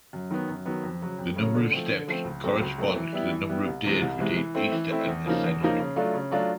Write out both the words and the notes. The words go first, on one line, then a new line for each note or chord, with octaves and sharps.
The number of steps corresponds to the number of days between Easter and Ascension.
F#2
D#3 F#3 B3
F#2
D#3 F#3 B3
F2
C#3 F#3
F2
C#3
F#3
D3
F3 A3 C4
D3
F3 A3 C4
C#2
B2 F#3 A3 C4
C#2
B2 F#3 A3 C4
E3
G3 B3 E4
E3
G3 B3 E4
C2
C3 E3 G#3
C2
C3 E3 G#3
E3
A3 C4 E4
E3
A3 C4 E4
E2
C#3 F3 A#3 D#4
E2
C#3 F3 A#3 D#4
C#3
F#3 A3 D4 F4
C#3
F#3 A3 D4 F4